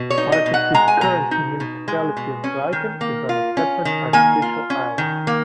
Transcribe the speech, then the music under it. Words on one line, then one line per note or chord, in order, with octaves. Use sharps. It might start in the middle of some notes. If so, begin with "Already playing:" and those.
Part of the current Municipality of Brighton is on a separate artificial island.
Already playing: B2
C#5
D#4
D#5
B2
F#5
G#3 A#5
G#5
B2 A#5
D#4
B2
G#3
B2
C#4
D#3
A#3
F4
C#4
D#3
A#3 G#5
F4
C#4
D#3
A#3